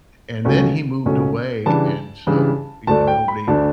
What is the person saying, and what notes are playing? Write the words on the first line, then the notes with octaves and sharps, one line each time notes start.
and then he moved away, and so, you know, nobody
C#2 B2 A3 C#4
C#2 B2 A3 C#4
C#3 E3 G3 D4 A5
C#3 E3 G3 D4
D2 D3 A3 D4 A5
G5
B5
D2 D3 A3 D4 A5